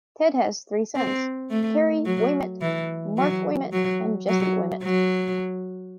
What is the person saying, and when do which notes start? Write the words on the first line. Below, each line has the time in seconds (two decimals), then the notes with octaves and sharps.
Ted has three sons: Terry Ouimet, Mark Ouimet and Jesse Ouimet.
0.95 C4
1.50 A3
2.06 F#3
2.61 E3
3.17 F#3
3.72 F#3
4.28 F#3
4.83 F#3